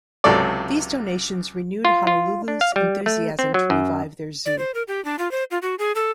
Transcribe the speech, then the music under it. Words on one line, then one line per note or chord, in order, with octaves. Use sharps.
These donations renewed Honolulu's enthusiasm to revive their zoo.
C#2 C3 F#3 A4 D5
F4
F4
D4
F5
G3
A3
C4
F#3
F#2
D5
C5
A#4
G4
D4
F4
C5
F4
F#4
G#4
A4